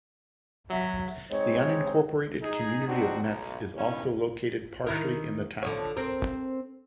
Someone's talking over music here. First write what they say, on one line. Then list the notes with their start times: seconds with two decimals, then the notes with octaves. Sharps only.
The unincorporated community of Metz is also located partially in the town.
0.71 F#3 E5
1.31 G#3 C4 D#4 C#5
2.42 D#4 G#4
2.87 B2 C4 D4 D#4 F#4
3.22 B1
3.77 G2 B2 D#3 B3 C#4 E4
4.86 D#3 E4 A#4
5.63 D3 F3 C#5
5.97 C4 A#4